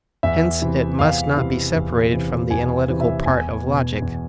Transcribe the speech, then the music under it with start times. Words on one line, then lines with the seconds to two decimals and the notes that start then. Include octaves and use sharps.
Hence it must not be separated from the analytical part of logic.
0.23 E2 E5
0.61 C3 E3
0.99 E2 F5
1.37 C3 E3
1.75 E2
2.13 C3 E3
2.51 E2 G#5
2.88 C3 E3
3.00 E5
3.26 E2 G#5
3.64 B2
4.02 E2